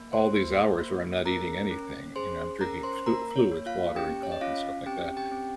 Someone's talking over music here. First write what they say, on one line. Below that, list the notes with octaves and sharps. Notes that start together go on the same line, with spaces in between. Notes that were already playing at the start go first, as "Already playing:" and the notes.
all these hours where I'm not eating anything. You know, I'm drinking fl fluids- water, and coffee, and stuff like that.
Already playing: A#3
C5 C6
A#3
A#3
C#4 A#4 A#5
C#4
G#4 C5 C6
C#4 A#4 A#5
C5 C6
A#3 A#4 A#5
C#5
A#3
F4 F5
C#4 G4 G5
C#5
D#5
C#4 F4 F5
C4 G4 G5
G4 G5
C4